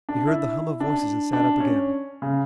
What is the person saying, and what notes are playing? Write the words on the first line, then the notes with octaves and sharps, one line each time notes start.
He heard the hum of voices and sat up again.
D4
E4
D4
D4
C#4
C#3